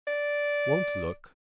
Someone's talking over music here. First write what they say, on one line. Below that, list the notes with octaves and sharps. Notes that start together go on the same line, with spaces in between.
Won't look.
D5